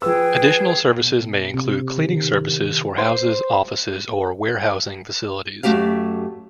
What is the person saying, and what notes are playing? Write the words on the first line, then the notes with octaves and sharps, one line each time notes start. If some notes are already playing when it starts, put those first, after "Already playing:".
Additional services may include cleaning services for houses, offices or warehousing facilities.
F3 G#4 B4 G5 E6
B2
C3
D#3
C5
F#2 A3 F#4 G4 F5